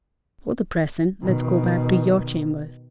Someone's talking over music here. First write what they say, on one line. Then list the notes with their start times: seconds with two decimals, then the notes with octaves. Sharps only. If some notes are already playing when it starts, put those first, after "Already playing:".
For the present let's go back to your chambers.
1.22 B2 D#3